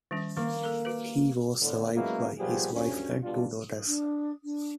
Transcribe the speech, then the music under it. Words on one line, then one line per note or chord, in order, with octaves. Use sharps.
He was survived by his wife and two daughters.
D#3 G3 C#4
D#3 A#3
A4 A#4
F#4 B4
A2 D3 B3
F#3 G#3 A#3 B3 C#4 E4
A#2 F3 G3 B3 G4 G#4
D2 G2 C#4
B2 G3 D4 F4
D4
D4